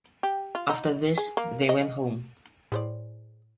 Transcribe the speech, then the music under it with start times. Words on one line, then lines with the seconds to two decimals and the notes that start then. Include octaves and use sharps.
After this, they went home.
0.23 G4
0.55 F4
0.70 D#4
1.18 G#4
1.37 A#3
1.69 D#5
2.72 A2 G#4 C5 D5